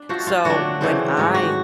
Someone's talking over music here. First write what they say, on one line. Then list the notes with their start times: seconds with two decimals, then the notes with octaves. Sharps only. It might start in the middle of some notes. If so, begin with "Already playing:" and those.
So, when I
Already playing: D4
0.09 F3 A3 C4 F4 F#4
0.27 F4
0.45 D3 F#3 A3 D4 F#4
0.81 C#3 E3 A3 C4
1.17 G#2 D#3 F#3 A3
1.35 F#4